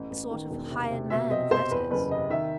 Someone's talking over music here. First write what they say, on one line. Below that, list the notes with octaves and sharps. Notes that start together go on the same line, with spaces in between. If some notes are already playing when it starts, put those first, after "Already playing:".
A sort of hired man of letters!
Already playing: A1
A1
D#3
E1
C3
C3
B2 E5
C4 D#5
C4 C5
E2 B4
F#1 B4
C3 D#5
D#3 E5